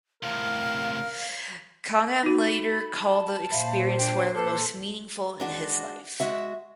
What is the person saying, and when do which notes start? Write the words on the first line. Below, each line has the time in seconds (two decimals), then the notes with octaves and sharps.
Canham later called the experience one of the most meaningful in his life.
0.23 A2 C3 A#4 F5
2.23 D#4 F#4 B5
2.98 A5
3.52 A#2 C5 E5 F5 B5
3.98 D4 G5
4.35 A4 B4 D6 G6
5.40 G#3 D4 F#4
6.20 G#3 F#4 E5